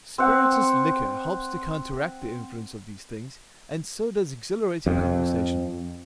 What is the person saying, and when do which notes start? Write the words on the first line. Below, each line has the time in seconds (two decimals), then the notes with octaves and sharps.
Spirituous liquor helps to counteract the influence of these things, and so does exhilarating conversation.
0.18 C4 F#5
4.86 F2